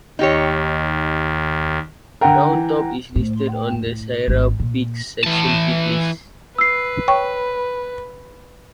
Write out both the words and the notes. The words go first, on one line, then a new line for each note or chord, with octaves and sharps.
Round Top is listed on the Sierra Peaks Section peak list.
D#2 D#4 G4 C#5
D3 A#4 F#5 G5 A#5
E3
A2
G#1 G#3
A#2
E3 A5
B4 E6 C7
C#5 G5 C#6